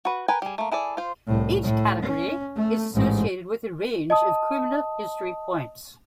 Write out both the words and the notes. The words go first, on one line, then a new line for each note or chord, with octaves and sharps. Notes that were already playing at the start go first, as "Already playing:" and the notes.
Each category is associated with a range of criminal history points.
F#4 B4
A#4 B4 G5 G#5
G3 G#4
A3 A#3
E4 G#4 A4 D5
F4 C5
C2 A2
A2
C#4
A3
A1 G#2
D#5 A5 D#6